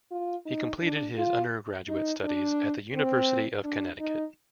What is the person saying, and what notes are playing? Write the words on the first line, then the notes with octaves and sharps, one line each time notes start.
He completed his undergraduate studies at the University of Connecticut.
F4
D#4
D4
F4
D#4
D4
C4
D4
D#4